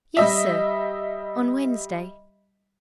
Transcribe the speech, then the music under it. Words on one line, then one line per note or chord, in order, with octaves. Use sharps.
"Yes, sir, on Wednesday."
G3 D#5 E5